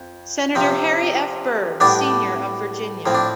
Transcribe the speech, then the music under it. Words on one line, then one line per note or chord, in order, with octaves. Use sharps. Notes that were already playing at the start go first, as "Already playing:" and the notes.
Senator Harry F. Byrd, Senior of Virginia.
Already playing: F2
C3 F3 C4
A2 G3 B3 D4 D5
A2 F3 C4
D4